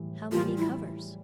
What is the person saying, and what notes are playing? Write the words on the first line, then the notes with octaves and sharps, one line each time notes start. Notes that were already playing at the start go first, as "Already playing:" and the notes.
"How many covers?"
Already playing: A2 E3 G3
A2 E3 G3 F4
E4